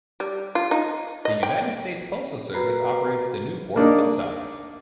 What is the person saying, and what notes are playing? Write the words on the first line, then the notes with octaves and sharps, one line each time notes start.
The United States Postal Service operates the Newport Post Office.
G3
F4
D#4
D#5
G5
F#4 A#4 B4 A#5 B5 C7
A#3 D4 D#4